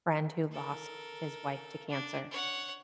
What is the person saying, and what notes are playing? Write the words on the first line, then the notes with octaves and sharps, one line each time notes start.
friend who lost his wife to cancer,
A4 A#4
D4
C#5 F#5